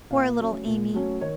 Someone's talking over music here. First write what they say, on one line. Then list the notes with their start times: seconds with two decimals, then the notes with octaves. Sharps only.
Poor little Amy!
0.10 A#2 F5
0.39 F#3 A3 C#4
0.66 A#2
0.94 F#3 A3 C#4
1.21 D#3 C#5